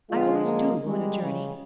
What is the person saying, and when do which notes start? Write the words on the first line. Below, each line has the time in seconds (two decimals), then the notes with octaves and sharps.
I always do, on a journey.
0.11 D3 F3 G#3 F4
0.45 A#3
0.86 G3 G#3
1.22 C#3